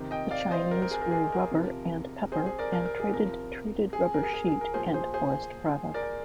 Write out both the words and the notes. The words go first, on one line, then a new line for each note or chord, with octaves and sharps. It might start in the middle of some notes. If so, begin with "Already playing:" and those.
The Chinese grew rubber and pepper and traded treated rubber sheet and forest products.
Already playing: C3 D#3
D#5 G5
D5 F5
C5 D#5
A#4
A#4
G#4
A#4
G#4
A#4
C3 F3
G#4 C5
G#4 C5
A#4 D5
A#4
A#4
G#4
C3 F3 A#4
G#4
A#4
G#4
G#4
G#4
A#4
A#2 F3 G#4 C5
G#4 C5
G#4 C5
A#4 D5